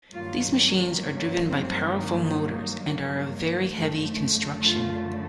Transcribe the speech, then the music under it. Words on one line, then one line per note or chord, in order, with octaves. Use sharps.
These machines are driven by powerful motors and are of very heavy construction.
G2 D#3 F#3 A#3 F4
C#4
C#4
C4
D#4
D#4
D#4
F#2 D3 F3 A3
F4